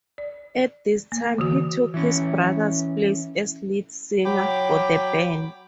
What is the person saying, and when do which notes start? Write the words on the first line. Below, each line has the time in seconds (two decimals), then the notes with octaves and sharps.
At this time, he took his brother's place as lead singer for the band.
0.18 D5
1.12 A#3
1.38 D3 E3 F#4
1.94 E3 C#4
4.25 F#3 G5 B5 D6